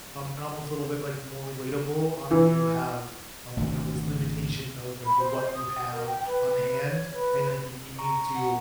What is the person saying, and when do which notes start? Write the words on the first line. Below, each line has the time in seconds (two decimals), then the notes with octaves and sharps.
um, and almost a little bit like more relatable on, like, you have, um, you know, this limitation of, like, what you have on hand, and, like, and you need to
2.31 E3
3.57 G#1 D2
5.05 B5
5.19 C5
5.54 D#6
5.92 A#4
6.07 G5
6.26 B4
6.89 C#5
7.13 B4
7.99 A#5 C#6
8.35 F#5